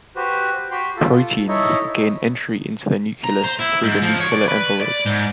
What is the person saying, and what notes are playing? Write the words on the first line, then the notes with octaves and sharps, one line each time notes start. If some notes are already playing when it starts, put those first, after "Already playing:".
Proteins gain entry into the nucleus through the nuclear envelope.
F#4 G4 B4 C5
F#4 G4 G5 B5 C6
F4 A4
D#4 E4 A4 C#5 D#5
A#5
C5
E4
G#2
F3
C#5
D5
B4
D5
G#2